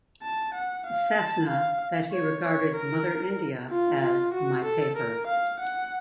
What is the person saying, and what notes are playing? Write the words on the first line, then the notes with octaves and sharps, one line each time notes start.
Sethna that he regarded 'Mother India' as "my paper".
A5
F#5
F5
A5
F5
C#5
C#5
A#4
F4
F4
F#4
A4
A#4
F5
F#5